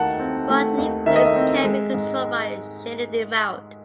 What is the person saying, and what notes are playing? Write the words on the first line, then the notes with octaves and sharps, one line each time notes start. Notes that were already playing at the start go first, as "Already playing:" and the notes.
Broadleaf weeds can be controlled by shading them out.
Already playing: D#2 D#3 A3 F#5 A5
C4
A3
D#2
D#3 E5
D#5
E5
C4
G#3
G#2